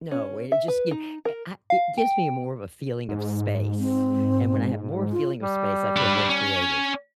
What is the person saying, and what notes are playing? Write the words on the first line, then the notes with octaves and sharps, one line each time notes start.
No, and it just gi a I it gives me more of a feeling of space, and when I have more feeling of space, I feel more creative.
C#4
E5
B4
D#4
A#4
F5
G5
G#2
C4
F4
G3
D4 B4
C#4